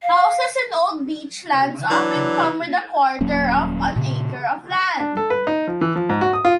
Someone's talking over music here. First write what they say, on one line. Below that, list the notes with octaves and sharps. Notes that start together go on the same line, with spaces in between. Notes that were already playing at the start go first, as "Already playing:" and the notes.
Houses in old Beachlands often come with a quarter of an acre of land.
F5
E3 F#3 D4
D#1 F#3 A#3 C#4
A#2 C#3
D4
A4
B4
D#4
F3
E3
F3
G#2
F#4
D#6
F4